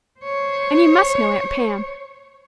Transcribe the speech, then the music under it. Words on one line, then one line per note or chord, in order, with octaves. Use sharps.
And you must know Aunt Pam.
C5 C#5